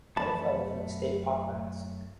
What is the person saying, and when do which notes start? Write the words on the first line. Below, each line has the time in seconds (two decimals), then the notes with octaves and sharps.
Both are within state park lands.
0.16 F#2 A3 A5 B5